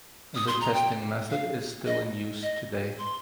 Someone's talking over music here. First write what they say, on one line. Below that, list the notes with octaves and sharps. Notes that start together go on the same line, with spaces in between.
The testing method is still in use today.
D#6
C6
A#5
G5
F5
D#5
D#5
C6